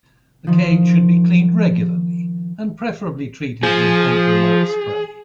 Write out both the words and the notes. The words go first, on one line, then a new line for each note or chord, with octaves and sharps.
The cage should be cleaned regularly, and preferably treated with anti-mite spray.
D#3 F3
F3 G#4